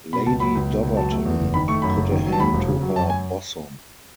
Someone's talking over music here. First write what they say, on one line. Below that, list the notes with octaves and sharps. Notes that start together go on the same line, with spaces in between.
Lady Doverton put a hand to her bosom.
B2 B5
C#2 A5
F#3 B5
C#2
B2
C#2
F#3 A5
A3
E2
F#1
D#3 B5
A3 C#6
F#2 B5
F#1
D#3
F#3
A5
D#2 B5
E1
C#3
F#3
F#2 A5
G#5